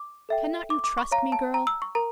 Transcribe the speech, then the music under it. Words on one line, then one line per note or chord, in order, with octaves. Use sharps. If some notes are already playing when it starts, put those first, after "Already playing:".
Cannot you trust me, girl?
Already playing: D6
A4 E5 G5
D6
D6
C#6
C#5 F5 A#5
A5
A#5
E6
C#6
A#4 A#5